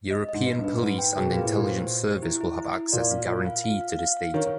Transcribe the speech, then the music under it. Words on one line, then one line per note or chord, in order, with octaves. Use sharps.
European police and Intelligent Service will have access guaranteed to this data.
D#5
D#5
G#2
B4
G2
B4
G#2 B4
G5
B2 G#4
A#2 B4
A2
A#2 G4
C5
C5
G4
E4
E4
E4
E4
A#2 D5
F5
F4
F5
F5
F5
F5
F5
D#3 C#5